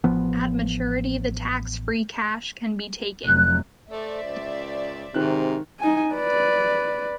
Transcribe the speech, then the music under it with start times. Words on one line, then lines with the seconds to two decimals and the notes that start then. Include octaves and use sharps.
At maturity the tax free cash can be taken.
0.04 A1 F3 B3
3.25 F1 F#3 F#6
3.91 A3 C5 D5 E5
4.23 C#2
5.14 G#2 C3 D#3 F#6
5.80 D#4 G#5
6.14 B4 D5